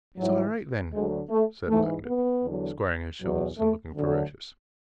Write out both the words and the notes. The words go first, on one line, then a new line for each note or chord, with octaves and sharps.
"It's all right, then," said Langdon, squaring his shoulders, and looking ferocious.
G#2 E3 F#3
D2 D3 F#3 G#3
A3
G#2 E3 A3
B3
E2 D3 F#3
E2 B2 F#3
A3
D2 D3 F#3